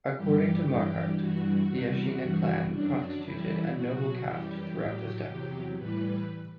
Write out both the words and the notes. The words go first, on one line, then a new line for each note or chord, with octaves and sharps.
According to Marquart, the Ashina clan constituted a noble caste throughout the steppes.
G2 E3 G3 G4
G2 E3 G3
G2 E3 G3 F#4
E2 C3 G3
G2 E3 G3
F#2 F#3 D4
F#2 E3 G3 E4
B2 F#3 F#4
F#2 E3 G3 G4
A2 F#3
E2 C3 F#3
A2 E3 G3 B4